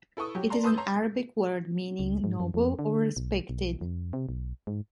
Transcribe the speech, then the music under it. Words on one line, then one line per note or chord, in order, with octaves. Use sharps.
It is an Arabic word meaning 'noble' or 'respected'.
E4 A4 B4 C#6 D#6
F#3 G4
D5 A5 A#5 C6
B4 A5 C6 D#6 E6 G6
C#5 A#5 C6
C#2
G#2
F#2
F2
D3
B1
B1
F2
C3
B1
G#2